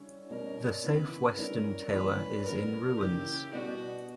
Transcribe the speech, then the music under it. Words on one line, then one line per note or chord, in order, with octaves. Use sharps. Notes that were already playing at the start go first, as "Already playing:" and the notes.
The south-western tower is in ruins.
Already playing: D3 G3 C#4 E4
B2 G3 C#4 A#4
C#3 E3 B3 E4 B4
D3 G3 C#4 E4 A#4
E3 G3 A#3 C#4 B4
D3 G3 B3 A#4
C#3 E3 A#3 C#4 E4 G4
B2 G3 B3 D4 F#4